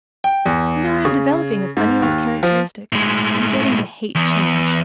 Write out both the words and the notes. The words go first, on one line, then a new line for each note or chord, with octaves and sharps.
You know I am developing a funny old characteristic; I am getting to hate change.
G5
E2
C#3
G#2
D#2
F3
A2 G#3
E2